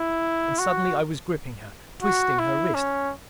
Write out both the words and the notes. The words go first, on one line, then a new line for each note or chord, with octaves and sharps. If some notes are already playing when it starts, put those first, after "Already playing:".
And suddenly I was gripping her, twisting her wrist.
Already playing: E4
F#4
F#4
E4
C#4